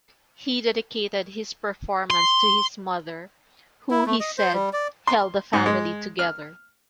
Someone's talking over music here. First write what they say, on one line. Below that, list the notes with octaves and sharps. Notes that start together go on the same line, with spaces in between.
He dedicated his performance to his mother who he said "held the family together".
C6
E4
A3
D#5
C5
G3
D5
C6
G#2
G#3
F6